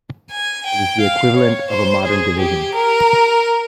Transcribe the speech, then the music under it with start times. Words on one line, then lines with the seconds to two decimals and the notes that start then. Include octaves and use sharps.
It is the equivalent of a modern Division.
0.31 G#5
0.66 G5
1.00 F5
1.36 C#5
1.70 C5
2.05 G#4
2.39 G4
2.74 A#4